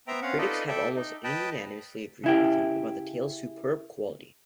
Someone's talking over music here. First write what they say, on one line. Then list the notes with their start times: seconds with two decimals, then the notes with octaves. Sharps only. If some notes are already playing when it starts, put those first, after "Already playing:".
Critics have almost unanimously agreed with him about the tale's superb quality.
0.08 B3 C5 E5 G5 A#5
0.22 C4 C#4 F5 F#5
0.38 D#4 F4 A4 B4 D5 D#5
0.68 A4 D5 E5 G5
0.96 D#4
1.24 B4 D#5 G5 A5
2.24 C#3 E4 G4